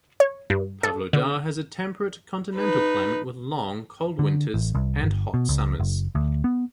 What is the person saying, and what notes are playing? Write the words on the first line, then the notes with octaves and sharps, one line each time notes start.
Pavlodar has a temperate continental climate with long, cold winters and hot summers.
C#5
G2
A4
D3
D#4 B4
D3
A1
C2
G1
B2
C#2
F#1
D2
B3